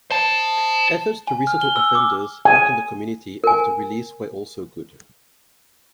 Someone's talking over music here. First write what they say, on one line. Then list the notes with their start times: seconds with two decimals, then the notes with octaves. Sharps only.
Efforts to resettle offenders back in the community after release were also good.
0.11 C5 A5
1.27 G#5
1.47 F6
1.61 G7
1.76 E6
1.95 D6
2.45 G#5
3.44 A#4 G#5